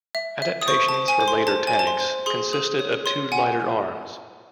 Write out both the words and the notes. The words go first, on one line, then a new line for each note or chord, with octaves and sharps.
Adaptations for later tanks consisted of two lighter arms.
E5
E5
D#6
C5 C#6
A5
C5
G#5
C5
C6
C5 A5
G#5
C5
A5
C6
C5
G#4 C6
G#4
C#5
C#5 C6
F#5 G#5